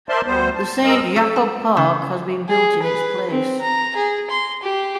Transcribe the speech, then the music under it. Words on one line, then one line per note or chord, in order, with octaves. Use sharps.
The Saint Jakob-Park has been built in its place.
A#4 C5 D5 E5 A5 C6
D2 G3 B3 C5
A5
G2 G#3 A#4 D#5 E6
A4
A5
C#3
G#4
B4
C4
A#5
G#4
C6
G4